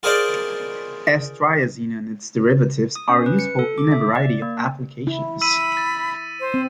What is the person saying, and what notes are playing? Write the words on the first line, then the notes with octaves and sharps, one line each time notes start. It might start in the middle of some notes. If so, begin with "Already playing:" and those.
S-triazine and its derivatives are useful in a variety of applications.
F4 G#4 A#4 C5 D5 D#5
D#6
C#4
B4
C#7
A4
D6
E5
D5
A#3
E4
B5 E6 B6 D#7
A6
C5
C4